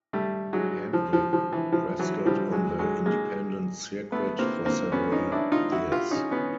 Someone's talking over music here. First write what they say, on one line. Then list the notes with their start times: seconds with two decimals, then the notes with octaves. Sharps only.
Hamrick wrestled on the independent circuit for several years.
0.13 G3 A3
0.53 F#3 G#3
0.93 F3
1.13 F3
1.33 F3
1.53 E3
1.72 F3
1.99 E3 F#3
2.26 F3 G3
2.52 F#3 G#3
2.79 F#3 G#3
3.06 G#3 A#3
4.12 A3 B3
4.39 A#3 C4
4.65 A#3 C4
4.92 B3 C#4
5.12 C#4 D#4
5.32 D4 E4
5.52 D#4 F4
5.72 E4 F#4
5.92 F4 G4
6.11 C#4 D#4
6.31 B3 C#4